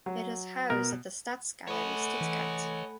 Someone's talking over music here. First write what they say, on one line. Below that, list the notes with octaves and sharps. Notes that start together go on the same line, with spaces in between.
It is housed at the Staatsgalerie Stuttgart.
F#3
B2 A#4
A3 A4 C#5 D#5 F#5 G#5 B5
E3